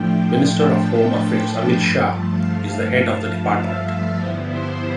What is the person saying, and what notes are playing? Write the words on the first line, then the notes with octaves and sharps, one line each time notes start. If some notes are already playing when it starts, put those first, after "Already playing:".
Minister of Home Affairs Amit Shah is the head of the department.
Already playing: A2 F3 A3 D4 G5
A5
G2 F3 A3 B5
A5
F5
E5
G2 D3 F3 B3 E4 C5
C5